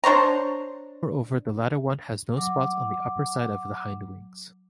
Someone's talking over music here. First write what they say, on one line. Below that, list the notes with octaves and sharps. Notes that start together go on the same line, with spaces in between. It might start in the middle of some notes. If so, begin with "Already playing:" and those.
Moreover the latter one has no spots on the upperside of the hindwings.
D4 C5 C#5 A#5
F#3 D6